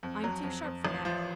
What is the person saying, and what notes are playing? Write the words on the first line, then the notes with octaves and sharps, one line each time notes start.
I'm too sharp for that.
F2
F#3
F2
F2
A1
F3